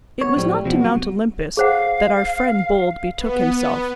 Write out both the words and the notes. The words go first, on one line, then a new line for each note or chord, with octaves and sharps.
It was not to Mount Olympus that our friend Bold betook himself.
B3 C#5
A2 F3 G3
C3 F3 B3
F#3 F#4
G#4 C5 F5 F#5
B3